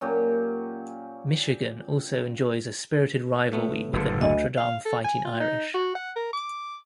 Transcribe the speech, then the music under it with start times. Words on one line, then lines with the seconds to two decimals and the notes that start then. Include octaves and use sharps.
Michigan also enjoys a spirited rivalry with the Notre Dame Fighting Irish.
0.01 A#2 F#3 C#4 G4
3.52 A2 A3 B3
3.93 F#1 D3 B4
4.21 D2 D#5
4.58 F5
4.86 A4
5.05 G#5
5.25 F4
5.40 D#4
5.74 F#4
5.95 F#5
6.16 A#4
6.33 D6